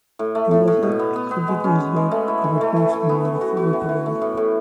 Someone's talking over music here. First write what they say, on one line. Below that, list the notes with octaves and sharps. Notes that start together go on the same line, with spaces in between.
He was able to continue his work commitments and made a full recovery.
A2
A3
A2
A2
B2
B3
B3
B3
G#3
C#4
C#4
G#3
A3
E4
E3
A3
E3
E3
B3
B3
F#4
F#4
E3
E3
A3
A2
A2